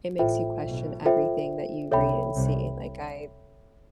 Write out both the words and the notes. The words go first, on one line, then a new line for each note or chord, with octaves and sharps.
it makes you question everything that you read and see. Like, I
A1 A2 F4 A4 C5 E5 G5
B1 B2
F4 A4 C5 E5 G5
C2 C3 A4 C#5 E5 G5 B5
C2 C3